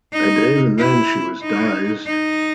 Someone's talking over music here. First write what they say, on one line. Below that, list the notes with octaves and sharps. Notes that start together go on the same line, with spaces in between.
And even then she was dazed.
D#4
E4
D#4
D#4